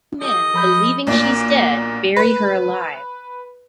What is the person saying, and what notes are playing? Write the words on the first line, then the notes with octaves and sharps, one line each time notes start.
The two men, believing she's dead, bury her alive.
G4 A4 D#5
F3 A4 B5 G6
B1 A#2 D4
B4